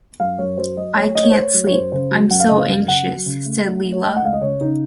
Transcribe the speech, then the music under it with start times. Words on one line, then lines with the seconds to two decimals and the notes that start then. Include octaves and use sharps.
"I can't sleep, I'm so anxious," said Leila.
0.20 F#2 F5
0.38 F#2 C#5
0.58 F#3 C5
0.77 F#3 D#5
0.96 A3 C#5
1.15 A3 D#5
1.23 C#5
1.31 C5
1.35 A3 C#5
1.54 F#3
1.67 C#5
1.73 F#2 C5
1.92 C#3 C5
2.11 F#3
2.31 F#2 F#5
2.40 F5
2.49 C#3 D#5
2.59 F5
2.69 F#2
2.88 C#3 F#5
3.07 F#3
3.26 C#3
3.45 A3
3.65 A3
3.84 A3
3.92 C#5
4.03 A3 D#5
4.16 F#5
4.22 C#2 F5
4.33 D#5
4.42 C#3 C#5
4.61 C#3 D#4